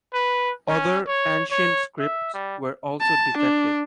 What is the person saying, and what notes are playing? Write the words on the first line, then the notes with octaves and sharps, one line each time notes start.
Other ancient scripts were also defective.
B4
C#4
C#5
C#5
E5
G3
A5
D4